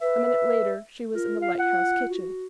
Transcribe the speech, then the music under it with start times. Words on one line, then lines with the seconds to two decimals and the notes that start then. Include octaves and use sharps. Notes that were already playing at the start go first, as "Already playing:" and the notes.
A minute later she was in the lighthouse kitchen.
0.01 B4 E5
1.14 F4 A#4
1.42 F5
1.59 F#5
2.09 F#4